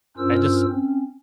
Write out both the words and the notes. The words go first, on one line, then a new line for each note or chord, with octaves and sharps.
I just
G2 C#4 F4 A#4 C5 E6
C4 C#4